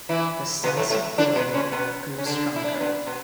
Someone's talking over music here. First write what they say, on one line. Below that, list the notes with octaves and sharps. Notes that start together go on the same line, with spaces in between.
The sense of failure grew stronger.
E3 E4
B2 B3
A2 A3
A2 A3
D3 D4
B2 B3
C#3 C#4
B2 B3
C#4
D3 D4
E4
D4
C#4
B2 B3
B2 B3